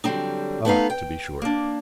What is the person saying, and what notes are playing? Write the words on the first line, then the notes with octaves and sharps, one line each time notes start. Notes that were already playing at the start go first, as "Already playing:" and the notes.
Ah, to be sure!
D3 F#3 G3 C4 D#4
A3 B3 D#4 F5
G5
A#3 D4